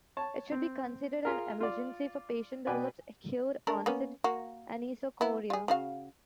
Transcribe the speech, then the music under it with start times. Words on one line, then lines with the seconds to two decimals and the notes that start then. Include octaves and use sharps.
It should be considered an emergency if a patient develops acute onset anisocoria.
0.17 C#5 A5
0.52 C4
1.25 F4 G#4 A#4
1.60 F4 D5
2.67 B2 B4 D5 G5 G#5
3.67 A3 D4 A#4
3.86 A#3 B3 C#4
4.24 A#3 F#4
5.21 B3 E4
5.50 F4 G#4
5.68 C#3 F#4 F5